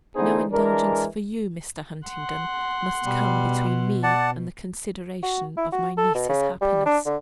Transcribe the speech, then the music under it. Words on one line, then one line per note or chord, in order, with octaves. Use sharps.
'No indulgence for you, Mr. Huntingdon, must come between me and the consideration of my niece's happiness.'
D3 E3 B3 D#4 G#4 C5
E3 G#3 D4 A#4
F#5 C6
B2 G3
D5 F#5 A5
F#4
E4
F#4
A4
B2
C#3
G3
D4
D3